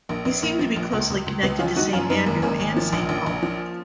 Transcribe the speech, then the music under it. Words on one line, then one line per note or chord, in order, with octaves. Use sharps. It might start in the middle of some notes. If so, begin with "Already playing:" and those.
He seemed to be closely connected to Saint Andrew and Saint Paul.
A#1 A#3
A#1 B3
A#1 A#3
F3
A#1
C#2
C#2
C#2
C#2 B3
F3 C#4 F4
F3 D#4 F#4
F#2 C#4 F4
F#2 B3 D#4
G#1 A#3
G#1 A#3 C#4
G#1
F3
A#1
A#1
A#1
F3